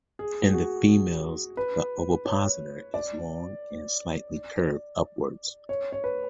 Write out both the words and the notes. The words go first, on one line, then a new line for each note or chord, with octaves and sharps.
In the females the ovipositor is long and slightly curved upwards.
G#4
G#4
F#4
G#4
B4
C#5
D5
C#5
C#5
B4